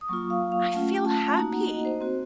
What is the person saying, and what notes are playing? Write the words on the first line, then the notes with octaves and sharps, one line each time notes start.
I feel happy!
D#6
F#3 A#3 F4 C#6
F5
F5
A3 C#4 F4 F#5
A5
A#3 D#4 F#4 A#5
F#5
D#5
C5
C4 F#4